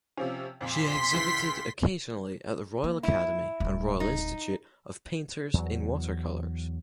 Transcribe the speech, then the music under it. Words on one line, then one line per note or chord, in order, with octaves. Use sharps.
She exhibited occasionally at the Royal Academy and Royal Institute of Painters in Watercolours.
C3 F3 C#4
F2 A#2 C6 B6
C#2 E3
A#3
E4
D1 G3
D#4
E2 F#3